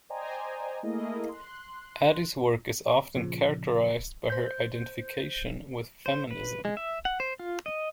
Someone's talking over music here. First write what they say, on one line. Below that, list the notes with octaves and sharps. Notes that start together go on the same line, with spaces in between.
Attie's work is often characterized by her identification with feminism.
C5 D5 D#5 G5 G#5 A#5
A3 A#3 E4 G#4 A#4 D#5
C6 F#6
A#2 C#3 F3
C5 G6
C5
B4
G#3
E5
F#5
C5
F4
D#5